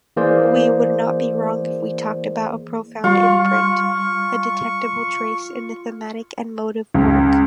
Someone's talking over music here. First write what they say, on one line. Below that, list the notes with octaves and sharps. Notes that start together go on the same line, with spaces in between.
We would not be wrong if we talked about a profound imprint, a detectable trace in the thematic and motive work.
E3 A#3 G#4 C5 D5
G3 F4 C#6
C#2